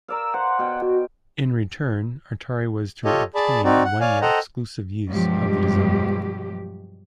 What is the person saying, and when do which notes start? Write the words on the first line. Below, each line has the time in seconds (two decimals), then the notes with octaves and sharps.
In return Atari was to obtain one-year exclusive use of the design.
0.08 A#4 D5 F5 E6
0.34 C5 F#5
0.59 B2 G5
0.82 F#4
3.05 F4 G4 A4 C#5 D#5
3.35 G#4 D5 A5 B5
3.64 C4 D#4 F#4 D5
3.85 F#5
4.01 C#5 D5 F5 G#5
4.22 A4 C5 D#5 F#5 G5 A#5
5.09 G2 B2 F3 F#3 G#3 G4